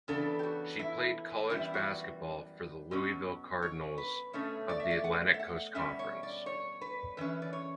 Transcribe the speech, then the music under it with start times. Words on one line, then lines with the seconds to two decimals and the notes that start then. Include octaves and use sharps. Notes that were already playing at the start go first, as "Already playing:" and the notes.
She played college basketball for the Louisville Cardinals of the Atlantic Coast Conference.
0.08 C#3 E3 B3 D4 A4
0.39 G4
0.43 F#4
0.79 E4
1.50 F#2 E3 G3 B3 E4
1.74 F#4
2.91 B2 F#3 C#4
3.62 C#5
3.98 B4
4.33 B2 A3 C#4 C#5
4.69 D5
4.79 E5
4.91 D5
5.04 F#5
5.34 E5
5.39 F#5
5.75 B2 G3 C#4 E5
5.99 C#5
6.23 D5
6.46 C#5
6.81 B4
7.17 F#2 E3 C#4 B4
7.42 D5
7.53 C#5